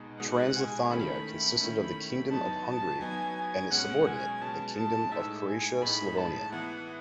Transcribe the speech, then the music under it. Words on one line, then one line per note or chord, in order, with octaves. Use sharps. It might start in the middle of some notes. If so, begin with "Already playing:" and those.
Transleithania consisted of the Kingdom of Hungary and its subordinate, the Kingdom of Croatia-Slavonia.
Already playing: B2 G#3 D#4
B2 G#3 D#4 F#5
G#5
D#3 A3 C#4 E4 B5
D#3 A3 C#4 E4
F#3 B3 D#4 A5
A5
F#3 B3 D#4 G#5
G#5
B2 G#3 C#4 F#5
G#5
B2 G#3 C#4 A5
A5
A2 G#3 D#4 E5
G#5
A2 G#3 D#4 B5
A5
E3 B3 E4 F#5